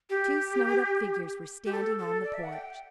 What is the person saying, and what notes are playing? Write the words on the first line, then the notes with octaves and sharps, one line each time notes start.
Two snowed-up figures were standing on the porch.
G4
G4
A4
A4
D5
E5
F#5
G5